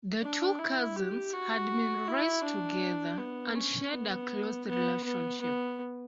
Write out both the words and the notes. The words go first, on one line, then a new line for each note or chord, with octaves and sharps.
The two cousins had been raised together and shared a close relationship.
D4
E4
G4
F#4
E4
D4
B3
C#4
B3
B3
B3
B3